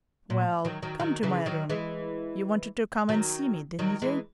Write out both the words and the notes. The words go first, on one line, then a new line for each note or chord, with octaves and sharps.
Well, come to my room; you wanted to come and see me, didn't you?
A#2
D#3 F#3
D#3 F#3
D#3 F#3
C#3 E3
D#3 F#3
E3 G#3
D#3 F#3
D#3 F#3
E3 G#3